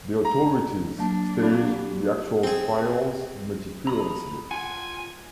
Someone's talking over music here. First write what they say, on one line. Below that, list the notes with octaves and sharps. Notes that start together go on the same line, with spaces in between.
The authorities staged the actual trials meticulously.
A#5
F#3 A#3 D4 A5
F#3 G3 A#3 C4 F4 D5
C4 G#4
A#5 B5 D#6
F4 F#5 G#5